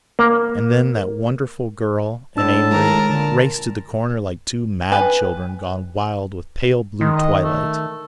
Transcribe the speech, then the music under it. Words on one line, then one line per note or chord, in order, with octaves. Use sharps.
And then that wonderful girl and Amory raced to the corner like two mad children gone wild with pale-blue twilight.
A#3
A2 D4 A5 E6
D#3 G#3 A#4
A#2 D3 A5
B4 G#5
D#3 G#3
D#5
A3